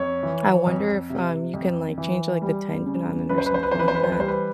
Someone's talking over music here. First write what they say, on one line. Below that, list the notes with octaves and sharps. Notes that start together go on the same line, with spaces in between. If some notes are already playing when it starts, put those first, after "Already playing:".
I wonder if, um, you can, like, change, like, the tension on it or something like that.
Already playing: F2 C#5
E3
F2
C3
F2
E3
G3
C#3
F#2 B4
C5
B4
C5
B4
E3 C5
B4
C5
B4
C5
B4
G3 C5
B4